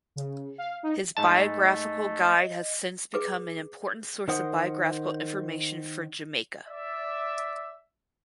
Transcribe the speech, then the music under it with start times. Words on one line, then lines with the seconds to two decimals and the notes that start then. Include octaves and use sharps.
His biographical guide has since become an important source of biographical information for Jamaica.
0.16 C#3
0.58 F5
0.83 D#4
1.17 G#2 A3 D#5 A5
3.14 G#4 B4 D6
4.28 D#3 A#4 C5 F#5 D#6
6.67 D5 E5